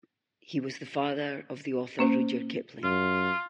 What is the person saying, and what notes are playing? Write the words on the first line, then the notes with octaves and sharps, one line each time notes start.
He was the father of the author Rudyard Kipling.
A#3 C#4 C5
F#2 F4